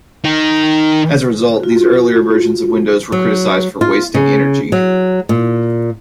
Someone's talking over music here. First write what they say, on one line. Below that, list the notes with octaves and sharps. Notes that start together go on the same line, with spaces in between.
As a result, these earlier versions of Windows were criticized for wasting energy.
D#3 D#4
F4 F#4
F#3
F4
C#3
F#3
A#2